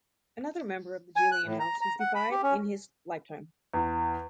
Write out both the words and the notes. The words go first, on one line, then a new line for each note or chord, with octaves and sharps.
Another member of the Julian house was deified in his lifetime.
G#5
F#6
A2
A#5
A#5
F#5
B5
G4
C#4
E2